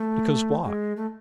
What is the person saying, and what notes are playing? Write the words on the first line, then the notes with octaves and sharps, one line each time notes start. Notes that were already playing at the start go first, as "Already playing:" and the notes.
'Because why?
Already playing: A3
G#3
A3